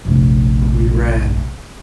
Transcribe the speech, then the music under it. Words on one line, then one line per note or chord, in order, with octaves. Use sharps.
But we ran.
F1 A#1